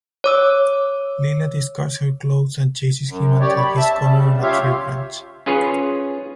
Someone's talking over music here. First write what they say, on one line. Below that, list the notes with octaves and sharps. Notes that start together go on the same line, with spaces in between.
Lila discards her clothes and chases him until he's cornered on a tree branch.
C#5 D6 E6
F#2
G4 C#5 D5
B5
E5 A5
C#3 G3
C#3 F4 G4 C#5 E5 F5
C#4 F4 G#4 B4 C#5